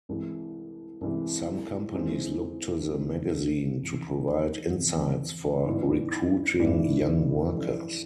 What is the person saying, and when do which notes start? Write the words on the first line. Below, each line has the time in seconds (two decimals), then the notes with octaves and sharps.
Some companies looked to the magazine to provide insights for recruiting young workers.
0.09 C2 C3 E3 G#3
1.01 C2 C3 E3 G#3
1.94 E3 G#3 C4 D#4
2.87 E3 G#3 C4 D#4
3.81 E1 E2 C3 F3
4.74 E1 E2 C3 F3
5.66 G#2 E3 G3 B3 E4
6.60 G#2 E3 G3 B3 E4
7.52 F1 F2 C#3 E3 G3